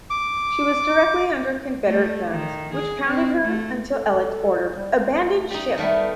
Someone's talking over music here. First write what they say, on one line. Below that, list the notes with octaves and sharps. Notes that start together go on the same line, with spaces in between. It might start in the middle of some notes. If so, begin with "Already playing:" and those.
She was directly under Confederate guns, which pounded her until Ellet ordered "abandon ship,".
D6
A3
D#3
G#4
C4
A3
A4
G3
A3
G3 D#4
D#3 G3 A3 B3